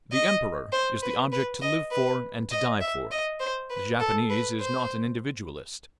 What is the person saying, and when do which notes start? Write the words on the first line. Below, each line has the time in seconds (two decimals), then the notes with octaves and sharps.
The Emperor is the object to live for and to die for. The Japanese is not an individualist.
0.12 D#5
0.72 C5
1.02 B4
1.32 B4
1.62 D#5
1.91 B4
2.51 D#5
2.81 E5
3.11 D#5
3.40 C5
3.70 B4
4.00 A4
4.30 B4
4.61 C5